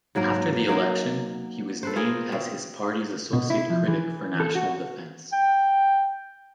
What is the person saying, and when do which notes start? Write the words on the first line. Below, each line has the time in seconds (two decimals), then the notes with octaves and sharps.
After the election, he was named as his party's associate critic for National Defense.
0.15 G#2 F#3 A#3 A#4
0.68 F#3 A#3 D#4 A#4
1.83 A4 B4 C5
1.96 F4 G#4 A#4
2.32 B2 C4
3.33 B2
3.50 E4
3.70 F3
3.88 E3
4.40 A4
4.55 F#4
5.33 G5